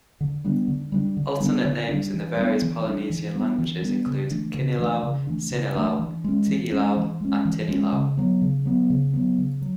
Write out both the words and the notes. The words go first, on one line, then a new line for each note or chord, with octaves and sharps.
Alternate names in the various Polynesian languages include Kinilau, Sinilau, Tigilau, and Tinilau.
D3
G3 B3 D4
D3
G3 B3 D4
D3
G3 B3 D4
D3
G3 B3 D4
E3
G3 B3 D4
E3
G3 B3 D4
E3
G3 B3 D4
E3
G3 B3 D4
C#3
E3 A3 D4
C#3
E3 A3 D4
C#3
E3 A3 D4
C#3
E3 A3 D4
E3
G#3 C#4
E3
G#3 C#4
E3
G#3 C#4
E3
G#3 C#4
C#3
F#3 B3
C#3
F#3 B3
C#3
F#3 B3
C#3
F#3